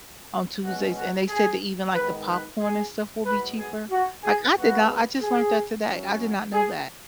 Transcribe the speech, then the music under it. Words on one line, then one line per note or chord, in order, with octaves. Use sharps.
on Tuesdays and they said that even, like, the popcorn and stuff will be cheaper. Like, I did not I just learned that today I did not know that.
B2 G#3 C#4 F#4
F#4
G#4
G#2 D#3 B3 B4
B4
G#4
G#2 F#3 B3 B4
G#4
F#4
G#4
C#3 G#3 B3 F#4
G#4
F#2 F#3 C#4
G#4